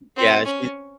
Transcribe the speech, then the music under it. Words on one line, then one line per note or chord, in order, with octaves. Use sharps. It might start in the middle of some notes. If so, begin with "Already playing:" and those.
yeah, she
C4
C#4